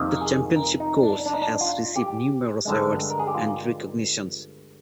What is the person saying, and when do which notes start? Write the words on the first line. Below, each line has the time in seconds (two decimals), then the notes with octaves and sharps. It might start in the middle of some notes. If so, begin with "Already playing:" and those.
The championship course has received numerous awards and recognitions.
Already playing: F2 C3 D#3 A#3
0.21 G#4
0.56 A#4
0.80 D#4
1.03 D4
1.26 D4
1.34 D#4
1.42 D4
1.61 F4
1.96 G4
2.65 G2 D3 G#3
3.10 A#4
3.19 G#4
3.27 G4
3.34 F4